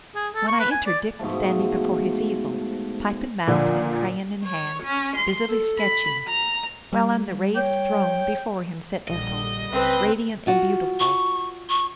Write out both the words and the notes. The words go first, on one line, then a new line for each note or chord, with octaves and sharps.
When I entered, Dick was standing before his easel, pipe in mouth and crayon in hand, busily sketching; while on the raised "throne" before him sat Ethel, radiant and beautiful.
G#4
A4
C#6
B4
G#5
D5
G#2 B2 F3 A3
A#2 D3 F3
C#5
C#4
C6
A4
B5
A#5
G3
C#5 G5
A#1 D3 G3 D#5
C#2 C4 B4
F4 F#4
C#6
C#6